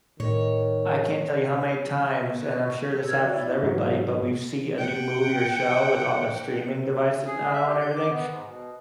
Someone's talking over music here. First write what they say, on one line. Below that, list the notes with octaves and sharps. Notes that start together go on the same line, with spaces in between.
I can't tell you how many times, and I'm sure this happens with everybody, but, we've see a new movie or show with all the streaming devices now and everything,
A2 D#3 C#5
B4
C#6
A4
A#4 E6 F6 G#6
F#4 C#5 D5
E4 D5
G#2 E3 F#3
F#5 G5
G#4
E5
G4
G6
D6
B3
G#2
B2